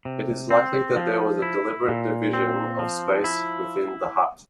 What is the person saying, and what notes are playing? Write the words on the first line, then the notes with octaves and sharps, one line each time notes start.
It is likely that there was a deliberate division of space within the hut.
C3
C4
F3
E4
A#2
C4
F3
E4